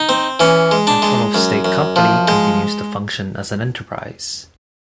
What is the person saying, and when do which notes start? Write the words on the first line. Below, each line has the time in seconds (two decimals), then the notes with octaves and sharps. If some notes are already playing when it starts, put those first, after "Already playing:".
Antonov State Company continues to function as an enterprise.
Already playing: D#4
0.09 C4
0.40 E3 C#4
0.71 G#3
0.87 D4
1.02 G#3
1.34 F#2
1.65 F#2
1.96 F3
2.28 G#3